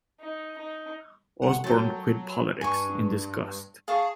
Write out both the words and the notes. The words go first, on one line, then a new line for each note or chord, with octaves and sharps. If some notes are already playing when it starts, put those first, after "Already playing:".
Osborne quit politics in disgust.
D#4
D#4
F#5
F#3 A4 G5
G2 G#5 C#6
G#4 F5 A5 C#6